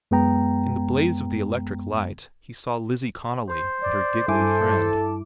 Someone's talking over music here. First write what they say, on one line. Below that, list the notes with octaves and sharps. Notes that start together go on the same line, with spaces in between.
In the blaze of the electric lights, he saw Lizzie Connolly and her giggly friend.
F#2 G#3 B3 G5 A#5
C5
D5
G2 E4 A4 G#5 D6
A5